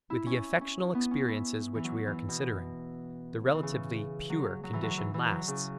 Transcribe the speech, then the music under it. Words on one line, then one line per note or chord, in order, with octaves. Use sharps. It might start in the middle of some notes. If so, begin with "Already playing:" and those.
With the affectional experiences which we are considering, the relatively 'pure' condition lasts.
E4
C#4
C#4
B3
C#4
E4
E3
F#3
E3
B2
E3
C#3
F#3
F#3
E3
F#3
E3
E3
F#3
C#3